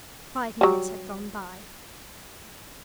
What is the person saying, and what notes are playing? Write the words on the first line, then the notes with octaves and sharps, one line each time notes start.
Five minutes had gone by.
F#3 G3